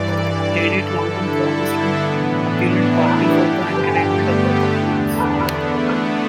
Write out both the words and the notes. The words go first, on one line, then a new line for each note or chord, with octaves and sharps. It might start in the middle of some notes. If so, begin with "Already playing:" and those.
Lady Twankum promised an opulent party for the entertainment of the populace.
Already playing: G2 E3 D5
A4
G2 D3
E4
D4
B3
A2 E3
D4
E4
G4
G2 D3
A3
B3
E2 D3 D4
B3
A3
B3